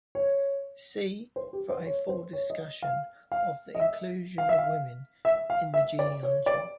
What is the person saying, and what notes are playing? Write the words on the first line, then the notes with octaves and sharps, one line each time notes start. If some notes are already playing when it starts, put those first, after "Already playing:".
See for a full discussion of the inclusion of women in the genealogy.
C#5
C5
G4
C5
C#5
C5
C#5
D#5
F5
F5
D#5
E5
F5
E5
F5
E5
F5
E5
D5
C#5
D5